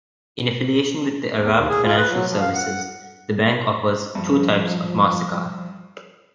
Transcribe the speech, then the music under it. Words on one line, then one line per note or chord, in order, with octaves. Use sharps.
In affiliation with the Arab Financial Services, the bank offers two types of MasterCard.
E2
D#2
G#4
F4
B4
F#3
F3
F5
F#5
G2 F3